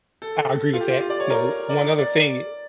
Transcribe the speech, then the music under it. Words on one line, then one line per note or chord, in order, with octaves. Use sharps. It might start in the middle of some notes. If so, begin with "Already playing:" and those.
I agree with that. Now, o one other thing,
A4
F4
G4
F4
F4
D5
C#5
A#4
D5
D5